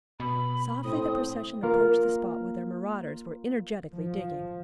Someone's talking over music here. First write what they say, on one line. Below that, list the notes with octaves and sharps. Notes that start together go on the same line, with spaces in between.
Softly the procession approached the spot where the marauders were energetically digging.
B2 B5
A2 C4 D#6
A#3 F4 A#4
F3